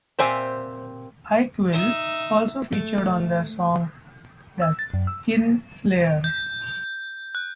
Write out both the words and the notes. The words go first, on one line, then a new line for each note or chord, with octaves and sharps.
Ike Vil also featured on their song "The Kinslayer".
A#2 C4 G4 C5 E5 G#5
D#4 E5
A3
E6
A6
F#2
E6
G6
F#6